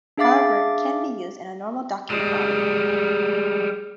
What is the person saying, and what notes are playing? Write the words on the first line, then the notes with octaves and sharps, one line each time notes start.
However, can be used in a normal document body.
D4 G#4 E5 F5 D6 A6
G3 G#3